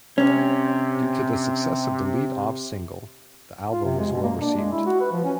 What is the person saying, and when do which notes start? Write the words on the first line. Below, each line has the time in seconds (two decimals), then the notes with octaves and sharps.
Due to the success of the lead-off single, the album was as well received.
0.18 C3 C#4
3.72 F4
3.85 C3
3.99 G#3
4.12 B2
4.24 A#3
4.41 D4
4.57 G#3
4.72 E4
4.87 F#4
5.00 B4
5.12 F3
5.24 C#4